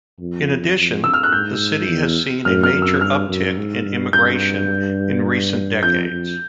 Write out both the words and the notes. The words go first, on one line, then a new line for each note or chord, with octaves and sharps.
In addition, the city has seen a major uptick in immigration in recent decades.
F2
F2
E6
F6
F#6
G#2 G6
E2
F#2 F6
F6
F#2
E6
G2 F6
F#2
G#2
G2
G2 G6
F2 G6
F2